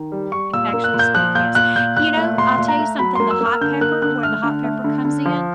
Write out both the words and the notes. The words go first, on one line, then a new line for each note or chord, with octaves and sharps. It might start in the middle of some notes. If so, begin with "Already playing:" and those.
It's actually sweet. Yes, you know, I'll tell you something, the hot pepper where the hot pepper comes in,
Already playing: D#3
G3
G3 C#6
A#2 E6
A#3 E6
F#6
A#2
G6
F3 F#6
A#2 G6
A#2 F#6
A#2 G6
A#2 F#6
A3
A#2 C6
A#2
A#5
A3
F#3 B5
A#3 C6
E6
A#3 F6
D3 G6
A#3 F#6
D3 F#6
A3 F6
D3
A3
D3
D3
F3